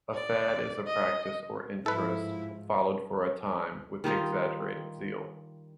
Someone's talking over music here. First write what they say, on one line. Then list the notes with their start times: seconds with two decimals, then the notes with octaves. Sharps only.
A fad is a practice or interest followed for a time with exaggerated zeal.
0.14 D5
0.87 D#5
1.86 G#2 F3 E4 A4 B4
4.04 D#3 G3 D#4 F4